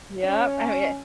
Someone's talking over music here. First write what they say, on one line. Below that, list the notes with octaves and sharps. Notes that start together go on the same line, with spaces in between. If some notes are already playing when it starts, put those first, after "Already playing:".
Yep, I mean,
C#4